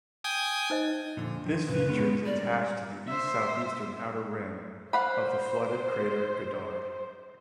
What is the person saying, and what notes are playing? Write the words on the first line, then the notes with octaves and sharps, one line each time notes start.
This feature is attached to the east-southeastern outer rim of the flooded crater Goddard.
G5 G#5 D#6
D#4 C5 D#5
F2 A#2 D3
D#3 F3
F#2 A#2 C#3 B4
G#3 B3 C#4
G3 A#3 C#4 D5
C5 E5
C5 F5 F#5 B5